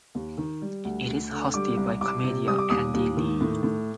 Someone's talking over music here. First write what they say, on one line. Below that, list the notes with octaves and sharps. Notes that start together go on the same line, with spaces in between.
It is hosted by comedian Andy Lee.
D#2
D#3
G3
D2
D2
D3
G3 D6
C2
C2 D6
C3
G3 D#6
D6
D#2 D#6
D#2
D#3
A2
A2